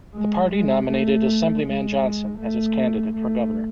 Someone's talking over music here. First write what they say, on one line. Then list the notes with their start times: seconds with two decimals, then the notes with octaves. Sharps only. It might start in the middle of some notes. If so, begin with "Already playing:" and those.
The party nominated Assemblyman Johnson as its candidate for governor.
0.14 G#3
0.51 G#3
0.88 A3
1.63 G#3
2.38 A3
3.13 A3